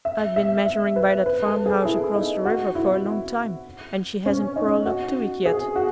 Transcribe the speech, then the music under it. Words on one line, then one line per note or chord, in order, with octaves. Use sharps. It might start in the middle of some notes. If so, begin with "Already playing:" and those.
I've been measuring by that farmhouse across the river for a long time, and she hasn't crawled up to it yet!
E5
E5
E5
B4
B4
A4
G#4
E4
D#4
F#4
E4
C#4
D#4
F#4
G#4
F#4